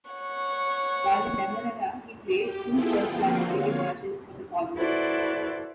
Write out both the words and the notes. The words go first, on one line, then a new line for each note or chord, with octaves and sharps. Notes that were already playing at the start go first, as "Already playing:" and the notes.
While in Demerara he played two first-class cricket matches for the colony.
C#5 F#5 C#6
G4
B3 E4 F4 G#4 A4 G5
D3 F3 A#3 C4 F4 F#4
C#5 F5
E4 F#4 A4 B4 C5 D5